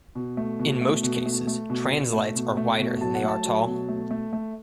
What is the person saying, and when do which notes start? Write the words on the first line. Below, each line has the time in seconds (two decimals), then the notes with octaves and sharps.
In most cases, translites are wider than they are tall.
0.15 B2
0.37 A3
0.59 B2
0.81 A3
1.03 B2
1.26 A3
1.47 A3
1.70 B2
1.91 B2
2.13 A3
2.35 B2
2.57 A3
2.79 B2
3.01 F#3 A5
3.15 F#5
3.23 A3
3.28 A5
3.45 F#3
3.67 B2
3.89 A3
4.11 A3
4.33 A3